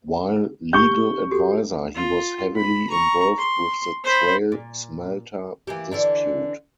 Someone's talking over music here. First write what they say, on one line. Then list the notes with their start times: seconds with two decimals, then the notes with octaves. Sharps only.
While Legal Advisor, he was heavily involved with the Trail Smelter dispute.
0.73 G4 C#6 G6 G7
1.31 F#4 G4 A4
1.95 F4
2.55 B5
2.90 A#5 C#6
3.38 C6
4.04 C5 B5
4.52 A#2
5.67 E3 A#3 G4
5.92 D3 E3 D4